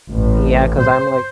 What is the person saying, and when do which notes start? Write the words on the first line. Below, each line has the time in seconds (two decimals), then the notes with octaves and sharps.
Yeah, 'cause I'm like
0.11 A1
0.80 C5